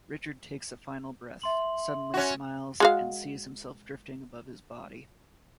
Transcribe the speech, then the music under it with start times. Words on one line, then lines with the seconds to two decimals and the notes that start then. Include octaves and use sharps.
Richard takes a final breath, suddenly smiles, and sees himself drifting above his body.
1.42 E5 C6 F#7
2.14 C#4 F#4
2.80 G#3 F#4 F5